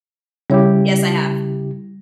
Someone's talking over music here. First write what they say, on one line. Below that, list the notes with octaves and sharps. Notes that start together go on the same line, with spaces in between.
Yes, I have.
C#3 G3 E4 G4 C#5